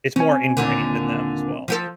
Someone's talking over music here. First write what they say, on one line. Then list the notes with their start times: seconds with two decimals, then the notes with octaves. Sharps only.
it's more ingrained in them as well.
0.16 C4 C#4 G#5
0.57 D#2 A#2 D3
1.68 F3 G4 A4